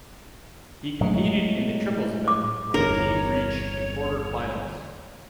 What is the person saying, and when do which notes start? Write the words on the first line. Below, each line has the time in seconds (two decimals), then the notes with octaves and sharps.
He competed in the triples event where the team reached the quarter finals.
1.01 A2 F#3 G#3
2.28 D6
2.74 G1 E2 A#4 C#5